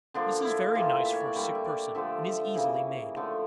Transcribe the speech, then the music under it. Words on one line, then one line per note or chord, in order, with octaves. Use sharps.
This is very nice for a sick person, and is easily made.
D3 F3 A#3 D4
E4
A2 E3 A#3 F4
E5
C#5
D5
D3 G3 A#3
E5
D5
D3 F3 A3 E5
C#3 E3 A#3
D3 F3 A3